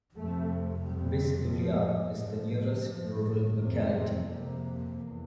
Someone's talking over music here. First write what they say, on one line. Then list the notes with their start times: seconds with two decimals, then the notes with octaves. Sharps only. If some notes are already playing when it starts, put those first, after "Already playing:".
Bizhbulyak is the nearest rural locality.
0.15 F2 C3 A3
0.85 F2 C3 G3
1.53 G2 F3
2.21 G2 F3
2.90 G2 F3
3.58 F2 C3 A#3
3.92 C4
4.28 F2 C3 A#3
4.96 E2